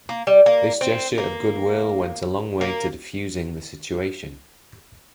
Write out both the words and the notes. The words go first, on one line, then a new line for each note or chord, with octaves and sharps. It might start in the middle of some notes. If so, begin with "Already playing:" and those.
This gesture of goodwill went a long way to defusing the situation.
A#3
G3
A#3
C4
A#3
A#3